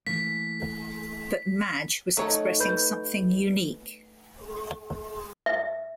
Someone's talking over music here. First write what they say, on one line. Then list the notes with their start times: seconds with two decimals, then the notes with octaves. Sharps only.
But Madge was expressing something unique.
0.07 E3 A3 A#3 B6
2.17 F#3 A3 D#4 C#5
2.60 B4 B5 G6
5.46 E5